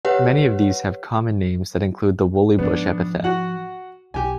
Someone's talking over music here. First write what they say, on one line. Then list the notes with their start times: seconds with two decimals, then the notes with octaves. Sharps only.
Many of these have common names that include the "woollybush" epithet.
0.05 G4 B4 C#5 F#5
2.59 G#2 F3 B3 D4
3.24 F#4 F#5
4.14 B1 G4 G#5